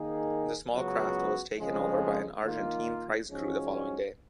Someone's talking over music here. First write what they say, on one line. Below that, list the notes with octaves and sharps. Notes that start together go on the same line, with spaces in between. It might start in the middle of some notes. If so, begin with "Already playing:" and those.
The small craft was taken over by an Argentine prize crew the following day.
Already playing: D#3 A#3 D#4 G#4
C#2 C#3 F#3 B3 F#4
F2 C#3 F3 G#3
D#3 A#3 F4
G#2 F3 G#3 C#4 F#4